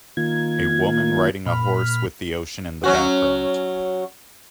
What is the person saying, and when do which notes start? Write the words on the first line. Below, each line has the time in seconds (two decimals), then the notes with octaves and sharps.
A woman riding a horse with the ocean in the background.
0.17 D#3 A#3 F4 G#6
1.46 A#2 B5 F6
2.84 F#3 C#4 F#4